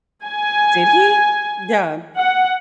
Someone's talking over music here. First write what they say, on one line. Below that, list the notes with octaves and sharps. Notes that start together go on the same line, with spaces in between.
Did he? Yeah.
G#5
F#5